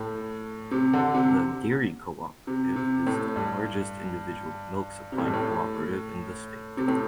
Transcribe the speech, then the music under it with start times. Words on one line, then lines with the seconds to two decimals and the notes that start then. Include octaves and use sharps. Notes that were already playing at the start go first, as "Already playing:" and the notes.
The dairy cooperative is the largest individual milk supplying cooperative in the state.
Already playing: A2
0.71 C3
0.93 D3
1.14 C3
2.47 C3
2.76 C3
3.07 A2
3.36 G2
5.12 C3
5.18 A2
5.26 G2
5.33 A2
6.77 C3
6.88 A2